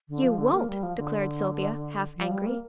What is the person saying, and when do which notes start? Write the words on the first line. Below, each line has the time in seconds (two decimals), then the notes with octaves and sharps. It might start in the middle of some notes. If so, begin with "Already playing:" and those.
"You won't!" declared Sylvia, half angrily.
0.09 D3
0.23 F3
0.38 D3
0.53 A#3
0.69 G3
0.83 F3
0.97 D3
2.16 F3
2.32 G3
2.47 A#3